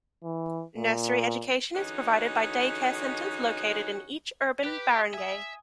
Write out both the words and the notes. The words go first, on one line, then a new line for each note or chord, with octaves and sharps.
Nursery education is provided by day-care centers located in each urban barangay.
E3
A#2
D3 E3 G#3 C#4 D#4 F#4
G4 B4 F#6 B6
D#6
E5 G#5 D#6